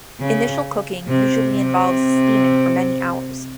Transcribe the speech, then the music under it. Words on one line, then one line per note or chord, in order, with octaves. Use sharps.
Initial cooking usually involves steaming for many hours.
C#3
C3
C3